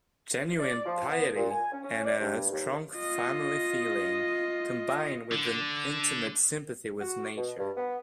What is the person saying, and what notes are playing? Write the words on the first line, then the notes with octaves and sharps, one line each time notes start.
Genuine piety and a strong family feeling combine with an intimate sympathy with nature.
D5
F3
B3
A#2
G#5
C#4
C#4
D5
G2
D#2
F4 D#5
D3
F#4
B2
G2
B3